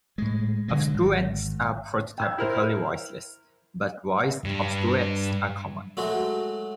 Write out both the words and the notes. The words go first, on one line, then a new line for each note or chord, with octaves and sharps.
Obstruents are prototypically voiceless, but voiced obstruents are common.
A2 G#3
D3 E3 F#3 G#3
G#1
G5 E6 G#6
E4 A#4 C5
G2
F#3 G#3 A3 F#4